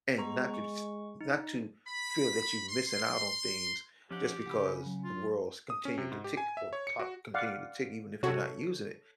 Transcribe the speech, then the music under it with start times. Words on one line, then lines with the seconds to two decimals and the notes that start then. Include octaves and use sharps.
and not to s not to feel that you're missing out on things just because the world's continued to tick or the clock continued to tick even if you're not using it.
0.18 G#3 B3 A#5 C#6
0.54 C#6
1.21 D#4
1.85 B5
2.69 C6
4.11 F3 C#4 D#4 G4 F#5 F#7 G7
4.46 C#3 F#5 B5
4.86 F#3
5.04 F4
5.70 D#6
5.85 C#4
5.98 C3
6.12 G#2
6.24 G4
6.37 G#5
6.57 E5
6.73 C#5
6.87 C#7
6.99 F#4
7.34 D5 F5 F#5
8.23 C3 F#4 A4 C#5